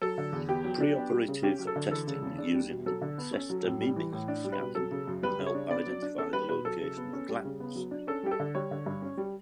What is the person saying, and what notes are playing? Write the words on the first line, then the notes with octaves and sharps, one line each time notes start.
Preoperative testing using sestamibi scanning can help identify the location of glands.
F#3 A4
D3
E2
B3 G4
F#3
D4
B3
G3
C#3
C#4 G4
F#3
A4
D3
E3 A4
C#3
E2
D4
G3
B2
F#3 A4
D3
B3
C#4
F#3
A2
G3
E3
A2
D4
G3
B4
B2
F#3 A4
C#3
F#2
G3 B4
C#3
C#5
D4
B3 D5
F#3
D4
C#4 A4
G3 B4
B2 B4
F#3 A4
C#3
B3
C#4
G3
C#3
B3
F#3
D4
C#4 A4
G3 G4
A4
D3
G3 C#5
D3
G2
C#4
G3